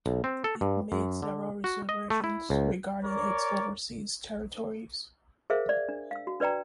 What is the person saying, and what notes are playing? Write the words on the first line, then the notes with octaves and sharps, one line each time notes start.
It made several reservations regarding its overseas territories.
B1
C4
A4
G2
F#2
D3
F#4
D#5
A3
E4
C#2
A#4 C#5 D5
G#4 A#4 C5 E5 F5
D5
D4
F5 E6
F#4
D4 B4 D5 G5 A#5